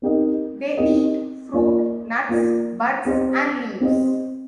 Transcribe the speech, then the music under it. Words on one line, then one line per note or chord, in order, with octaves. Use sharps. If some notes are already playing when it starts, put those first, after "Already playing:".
They eat fruit, nuts, buds and leaves.
C4 D#4 G4 A#4 D#5
C4 D#4 G4 A#4 D#5
A#3 F4 A#4 D5
A#3 F4 A#4 D5
C4 G4 C5 D#5
C4 G4 C5 D#5